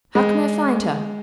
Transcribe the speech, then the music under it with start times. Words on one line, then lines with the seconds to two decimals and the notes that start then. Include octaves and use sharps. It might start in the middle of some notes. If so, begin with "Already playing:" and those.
"How can I find her?"
0.15 G#3